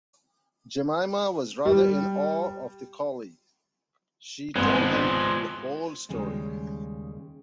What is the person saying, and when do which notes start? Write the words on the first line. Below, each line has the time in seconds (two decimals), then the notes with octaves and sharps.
Jemima was rather in awe of the collie; she told him the whole story.
1.65 G3
4.55 G#1 F3 G#3 B3 C4
6.09 D#2 C#3 G3 G#3 C#5